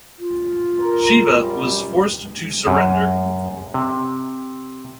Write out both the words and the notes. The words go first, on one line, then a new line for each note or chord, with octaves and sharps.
Shiba was forced to surrender.
F4
A#4
F#2 G3
F#2
C3